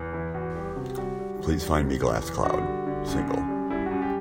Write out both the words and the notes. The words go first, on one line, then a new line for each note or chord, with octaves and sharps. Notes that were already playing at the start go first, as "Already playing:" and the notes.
Please find me Glass Cloud – Single.
Already playing: E2
E3 E4
E2 F#4
G3 G4
C3 F#4
G4
G3 F#4
G3
E3
G3
C3
E2
E3
D3 F#4
G3
D3
F#2
F#2
G3
G3 E4
F#4
F#2
G4